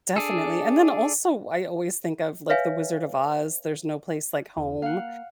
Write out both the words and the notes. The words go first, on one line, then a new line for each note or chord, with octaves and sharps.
definitely and then also, I always think of, like, the Wizard of Oz, "There's no place like home,"
D4 G#4 A4
B4 C#5 E5 F5 G#5
E2
A#3 F5 F#5